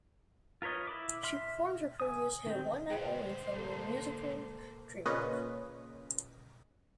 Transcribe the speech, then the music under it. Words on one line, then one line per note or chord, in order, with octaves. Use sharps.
She performed her previous hit "One Night Only", from the musical "Dreamgirls".
F4 A#4 B4 C#5 D#5
E4 B5 D6
E5 C6 F6
G#5 D#6
D#3 C4
G#2 D3 G#4 B4 C5 G5
A#3 A4
A#2 C#3 C#4 F4 B4 D#5